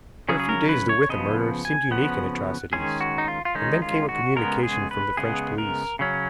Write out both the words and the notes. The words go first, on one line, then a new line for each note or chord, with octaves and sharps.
For a few days the Withan murder seemed unique in atrocities, and then came a communication from the French police.
C#3 F#3 C#4 G#4
G#4
A#4
B4
C#5
C#3 F3 B3 D#5
G#5
C#3 F3 B3 F#5
D#3 G#3 C#4 G#4
F#4
D#4
F4
F4
D#3 G#3 C#4 D#4
F4
F#4
C#3 G#3 B3 A#4
G#4
B4
C#3 G#3 B3 G#4
A#4
C#3 F#3 C#4